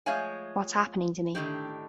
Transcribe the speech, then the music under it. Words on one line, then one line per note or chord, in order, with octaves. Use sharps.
What's happening to me?
F3 G#3 A3 C#5 F5 G#5
A2 D3 D#3 G4